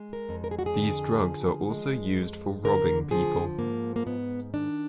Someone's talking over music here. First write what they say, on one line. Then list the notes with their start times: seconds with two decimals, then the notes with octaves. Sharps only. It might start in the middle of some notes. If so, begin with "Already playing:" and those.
These drugs are also used for robbing people.
Already playing: G#3
0.13 A#4
0.29 F2
0.44 A#4
0.51 G#4
0.59 F#4
0.66 G#4
0.76 D3
1.23 F3
1.70 G#3
2.17 F2
2.64 D3 A#4
3.11 F3 G#4
3.59 G#2 A#3
3.96 A#3
4.06 G#2 B3
4.54 D#3 D4